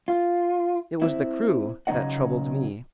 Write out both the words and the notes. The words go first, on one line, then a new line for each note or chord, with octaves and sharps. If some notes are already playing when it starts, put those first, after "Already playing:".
It was the crew that troubled me.
F4
C4 E4
C#3 F#3 A3 D#4 D#5 F#5